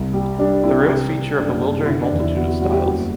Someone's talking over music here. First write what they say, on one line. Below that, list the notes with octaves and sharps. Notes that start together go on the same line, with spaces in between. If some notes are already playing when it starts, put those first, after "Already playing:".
The rooms feature a bewildering multitude of styles.
Already playing: C2
G3 G4
G3 D4
C3 E4
C3
C3
F#1 D4
C3
D3 E4
D4
E2
E4
B3 F#4
F#4
G3 F#4
G4
F#1 F#4